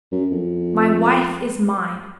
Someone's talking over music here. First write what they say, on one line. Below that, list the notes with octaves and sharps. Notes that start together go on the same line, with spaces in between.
My wife is mine.
F#2
F2